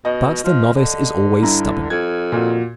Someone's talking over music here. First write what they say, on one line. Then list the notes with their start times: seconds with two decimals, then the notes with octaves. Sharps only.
But the novice is always stubborn.
0.05 B2 D#5
0.44 F3
0.75 D3
1.42 G2 E4 A#5
1.90 F2 G#6
2.32 A#2 F#4